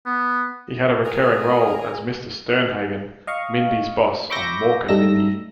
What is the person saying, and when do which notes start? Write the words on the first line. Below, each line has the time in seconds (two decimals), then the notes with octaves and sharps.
He had a recurring role as Mr. Sternhagen, Mindy's boss on "Mork & Mindy".
0.06 B3
1.05 G#4 A#4
3.27 D#5 F5 C#6
4.30 B5 C#6 D6 E6 G6 A#6
4.88 G2 G3 A3 D#4 E6 A#6